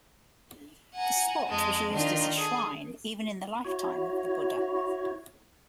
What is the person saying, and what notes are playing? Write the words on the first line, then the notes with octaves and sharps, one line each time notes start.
The spot was used as a shrine even in the lifetime of the Buddha.
F#5 G#5 A#5
F2 G#3 A5
D#3 D4 F4
G#4 A4
E4 F#4 C#5